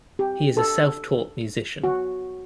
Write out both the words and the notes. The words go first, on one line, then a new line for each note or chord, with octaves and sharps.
He is a self-taught musician.
G4
A4
F#4